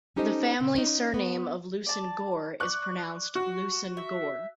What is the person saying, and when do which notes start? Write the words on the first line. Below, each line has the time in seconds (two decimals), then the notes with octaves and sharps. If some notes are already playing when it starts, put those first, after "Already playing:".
The family surname of Leveson-Gower is pronounced "Looson-Gore".
0.16 C#4 D#4 G4 A4 C5 D#5
0.60 A#2 C#3
0.75 B3 C#4 D#4
1.14 B3 B4
1.86 D5 A5
2.60 D5 C#6 F#6
3.35 F#4
3.97 E5